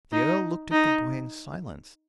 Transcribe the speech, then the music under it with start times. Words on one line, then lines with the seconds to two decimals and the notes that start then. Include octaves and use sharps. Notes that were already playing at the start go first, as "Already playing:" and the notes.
The Earl looked at the boy in silence.
0.12 D#4
0.72 D#4